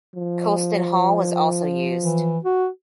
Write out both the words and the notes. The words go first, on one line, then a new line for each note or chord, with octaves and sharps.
Colston Hall was also used.
F3
E3
F#4